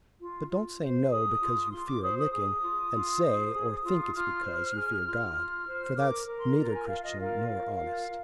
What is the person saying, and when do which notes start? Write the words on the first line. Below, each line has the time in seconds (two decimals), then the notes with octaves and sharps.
But don't say 'No' because you fear a licking and say or think it's because you fear God, for that's neither Christian nor honest.
0.19 F4
0.49 F4
0.81 C5
1.10 G#4 D#6
1.40 F4
1.71 F4 C6
1.86 D6
2.01 C5 D#6
2.17 D#6
2.32 G#4 D#6
2.62 F4
2.93 F4
3.24 C5
3.54 G#4
3.84 F4
4.15 F4 F6
4.44 C5
4.75 G#4
5.06 F4
5.36 F4
5.66 C5
5.96 A#4 D6
6.27 A#4
6.38 C6
6.57 F4 A#5
6.67 A#5
6.73 G#5
6.87 F4 F5
7.03 D#5
7.18 A#4 F5
7.49 A#4
7.80 F4